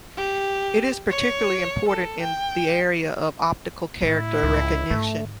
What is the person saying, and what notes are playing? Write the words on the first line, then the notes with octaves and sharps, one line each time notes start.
It is particularly important in the area of optical character recognition.
G4
C#5
A4
G5
A2 E4
C#2
G#2 A3